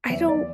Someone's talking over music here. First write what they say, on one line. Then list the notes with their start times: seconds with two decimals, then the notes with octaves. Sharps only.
I don't
0.10 E2 E5
0.28 E2 D5